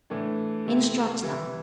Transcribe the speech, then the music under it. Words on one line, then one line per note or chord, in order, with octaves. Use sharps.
"Instruct them."
A2 E3 A3 D4
C3 A3 C4 E4
C3 E3 G3 E4